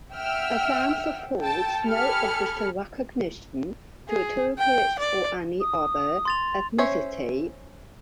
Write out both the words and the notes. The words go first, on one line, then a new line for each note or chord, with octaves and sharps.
Athens affords no official recognition to a Turkish or any other ethnicity.
E5 F#5 G5 E6 F6
A4 G5 A5
G4 A4 G#5 B5 F6 C#7
G#4
G5
D5
D#6
C6 A6 F7
C#4 C5 C#5 E5